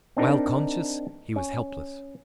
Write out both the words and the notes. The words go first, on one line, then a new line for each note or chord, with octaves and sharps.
While conscious, he was helpless.
C4 D4 D#4 A#4
C#4